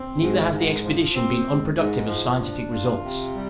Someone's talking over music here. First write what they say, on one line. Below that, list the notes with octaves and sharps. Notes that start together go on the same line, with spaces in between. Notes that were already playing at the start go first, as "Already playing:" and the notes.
Neither has the expedition been unproductive of scientific results.
Already playing: C4
G#2
G#2
F3
C4
G#2
G#2
F3
D4
F4
C3
G3